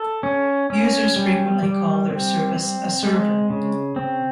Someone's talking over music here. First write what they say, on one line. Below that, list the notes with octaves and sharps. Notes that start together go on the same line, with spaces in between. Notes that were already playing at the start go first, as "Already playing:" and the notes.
Users frequently call their service a server.
Already playing: A4
C#4
C#4
G3
G3
C4
C4
G#3
C#3
C4